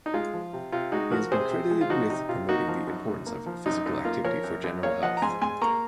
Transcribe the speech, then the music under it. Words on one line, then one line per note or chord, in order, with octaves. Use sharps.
He has been credited with promoting the importance of Physical Activity for general health.
D#4
G#3 F4
F3
C3
C3 F4
G#3 D#4 F#4
F3 F#4 A#4
C3 G#4 C5
C3
G#3
F4
F3 D#4 F#4
C3 D#4
C3 F4
A#3 D#4 F#4
F3
F#2
F#2
A#3
F3
F#2 D#4
F#2 D#4
A#3 F4
F3 A#4 C#5
F#2
F#2
A#3 C#5 F5
F3 D#5 F#5
A#5
G#2 G#5 C6
G#2 G#5 C6
A#3 A#5 C#6